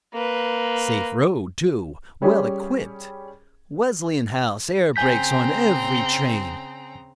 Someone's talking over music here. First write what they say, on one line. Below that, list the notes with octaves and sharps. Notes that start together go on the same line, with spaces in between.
Safe road, too; well equipped; Wesleyanhouse air brakes on every train.
A#3 B4
G3 C#4 G4 G#4
C#3 C4 G#5 A#5 G6 B6